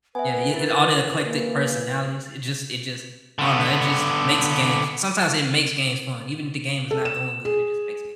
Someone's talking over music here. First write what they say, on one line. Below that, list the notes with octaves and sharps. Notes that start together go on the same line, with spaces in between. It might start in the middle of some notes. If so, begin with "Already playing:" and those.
yeah, i it all the eclectic personalities, it just it just I don't know, it just makes games sometimes it makes games fun, even the game is not going good, it just makes games fun.
B3 B4 E5 G#5
E3 E4 A#4 A6
A#3
D3 B3
A4
E7
G#4